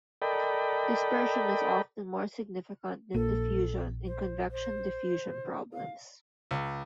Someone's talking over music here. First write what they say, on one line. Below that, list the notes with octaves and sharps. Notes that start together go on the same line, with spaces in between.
Dispersion is often more significant than diffusion in convection-diffusion problems.
A4 A#4 D5 D#5 G5 B5
A#1 A#3 A4
C5
C5
F5
C#2